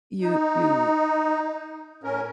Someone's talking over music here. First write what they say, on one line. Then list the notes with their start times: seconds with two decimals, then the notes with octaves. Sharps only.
you you
0.22 D#4
2.04 A2 C#4 A#4